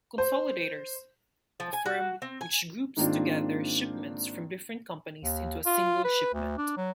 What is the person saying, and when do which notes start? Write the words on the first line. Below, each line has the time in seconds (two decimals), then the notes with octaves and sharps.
Consolidators: a firm which groups together shipments from different companies into a single shipment.
0.18 C5
1.60 F3
1.73 G#5
1.86 F#4
2.22 C4
2.41 G#5
2.96 G#2 D#3 A#3 C4 D4 F4
5.23 D#2
5.66 F4
6.04 B4
6.34 D2
6.58 D4
6.77 F#3